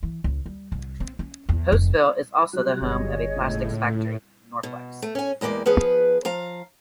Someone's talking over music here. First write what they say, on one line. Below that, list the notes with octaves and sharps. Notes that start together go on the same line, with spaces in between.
Postville is also the home of a plastics factory, Norplex.
E3
C#2
G3
C2
C4
C#4
E2
F1
F#3 G3 F#6
G1 G#4 C#5 D#5
C#2 A2
B2
A3
C#4 G#5
E2 G#3 A#3 G4 D5
F3 B3 G#4 B4
F3 F5 A#5